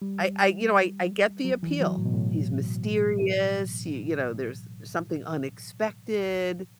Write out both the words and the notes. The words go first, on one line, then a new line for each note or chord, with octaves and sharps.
I I, you know, I I get the appeal. He's mysterious, y you know, there's something unexpected,
G3
F#3
E3
F#3
A2
B2
A2